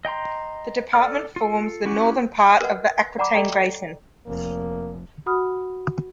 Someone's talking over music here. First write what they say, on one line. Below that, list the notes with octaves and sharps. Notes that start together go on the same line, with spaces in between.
The department forms the northern part of the Aquitaine Basin.
D#5 G5 A#5 C6
A4 D5 F6
F4 A4
C#4 E4 F#4 G4
A#4 B4 D#5 F#5
D5 F#5 A#5 B5 D6
A4 D5 D#5 G5 A#5
F1 A#3
F#4 F#5 B5 D#6 F6